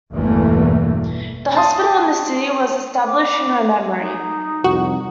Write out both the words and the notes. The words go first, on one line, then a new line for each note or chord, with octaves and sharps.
A hospital in the city was established in her memory.
G1 E2 B2 E3 A3 A#3
A5 C6 D#6
D6
D#4
C2 F2 F#4